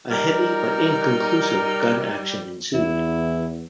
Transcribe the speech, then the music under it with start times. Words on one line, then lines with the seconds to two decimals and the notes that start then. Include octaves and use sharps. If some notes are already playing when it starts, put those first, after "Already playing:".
A heavy, but inconclusive, gun action ensued.
0.11 G3 D#4 A#4
2.74 E2 E4